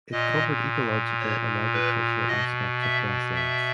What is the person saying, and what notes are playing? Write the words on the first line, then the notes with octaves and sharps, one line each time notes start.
It covered ecological and agricultural aspects of grasslands.
A#2 D#5
C#5
B4
B2 D#5
E5
E5